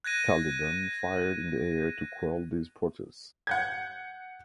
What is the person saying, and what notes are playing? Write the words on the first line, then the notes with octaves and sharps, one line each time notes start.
Taliban fired in the air to quell these protests.
F#6 G#6 A#6 D#7
F#5 G6 G#6